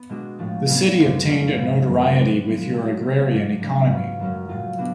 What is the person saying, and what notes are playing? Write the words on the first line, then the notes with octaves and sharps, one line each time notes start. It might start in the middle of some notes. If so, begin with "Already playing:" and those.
The city obtained a notoriety with your agrarian economy.
Already playing: B3
B2 G#3 D4 F#4
A2 F3 A3
A2 F#3 B3 F4 A4
F#2 D3 G#3 D4
F2 C#3 F3 A3 C#4
G#2 G#3 B3
F#2 D3 F#3
A2 G#3 D4
F3 G#3 B3
F#3 A3 D4 F#4 A4
F#3 C#4 F4
G#2 F#3 A3 D4
C#3 F3 A3 D4
G#2 F#3 C#4 F4 B4
F#2 C#3 F#3 C#4
A2 F#3 A3 F4
B2 B3 D4 F#4